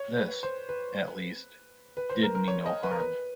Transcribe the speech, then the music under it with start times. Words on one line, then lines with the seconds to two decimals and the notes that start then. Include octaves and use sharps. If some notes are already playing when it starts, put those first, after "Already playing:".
This, at least, did me no harm.
Already playing: C#5
0.17 B4
0.43 C5
0.69 B4
1.97 B4
2.10 C5
2.23 A#4
2.35 A#4
2.48 C#5
2.66 D#5
2.83 B4
2.91 A#4
3.00 B4